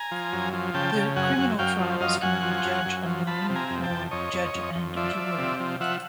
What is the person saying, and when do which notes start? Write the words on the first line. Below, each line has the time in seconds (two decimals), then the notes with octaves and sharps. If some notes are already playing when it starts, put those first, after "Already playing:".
The criminal trials can be judge alone or judge and jury.
Already playing: G#5 A#5
0.11 F3
0.33 F#2
0.53 F3
0.74 C#3 G5 A5
0.95 C#3
1.16 F#2 F#5 G#5
1.38 F#2
1.59 F#2 F5 G5
1.79 F3
2.00 F#2 D#5 F5
2.22 F#2 F#5 G#5
2.43 F3
2.64 F#2
2.85 F#2
3.06 F3
3.27 F3 A5 B5
3.49 C3
3.55 G#5 A#5
3.70 F2
3.83 G5 A5
3.90 F2
4.11 F2 C#5 D#5
4.33 F2
4.54 F2
4.75 F2
4.96 F3 D5 E5
5.17 F3
5.38 C3
5.60 F3
5.80 F3 E5 F#5